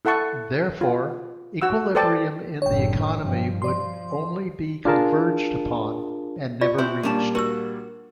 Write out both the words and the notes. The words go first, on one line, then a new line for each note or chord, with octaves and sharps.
Therefore, equilibrium in the economy would only be converged upon and never reached.
E4 A4 F#5 A5 C#6
F4
F#4 F#5 E6
A4 B4 C5 D5 G5 A5
F#1 A2 D3 C#5 G5
G2 F3
F3 D5 C6
D4 F4 G#4 A#4 A5
F4 D5 C#6
C4 E4 C5
A#2 G3 A#3 C#4 D4 A5
F#4 A#4 E6